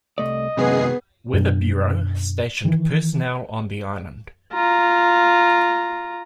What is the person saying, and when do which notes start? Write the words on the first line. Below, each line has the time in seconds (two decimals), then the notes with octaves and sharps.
Weather Bureau stationed personnel on the island.
0.18 C2 A3 D5 D#5
0.57 F#2 C3 D#3 G#3 B3 G#4 C7
1.33 F#2 B2 D4
2.65 D#3 E3
4.53 F4 A#5